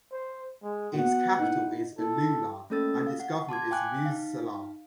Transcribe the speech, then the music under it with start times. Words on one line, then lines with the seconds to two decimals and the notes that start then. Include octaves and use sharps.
Its capital is Alula and its governor is Musse Salah.
0.12 C5
0.63 G#3
0.94 B3 F#4 F#5
1.39 D#4 E4
1.98 E4 A4
2.70 A3 A#3 C#4 A4 E6 A6
3.07 F5
3.20 F#5
3.49 A5 C6 D6 G#6
3.71 F5 G5 G#5 D6 F#6
4.05 D#4 F5